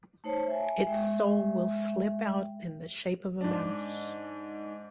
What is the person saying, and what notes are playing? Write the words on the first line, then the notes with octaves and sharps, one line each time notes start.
Its soul will slip out in the shape of a mouse.
A3 D#4 C5 C#5 A5
E5 G#5
G#3 E5 G5
G#2 D4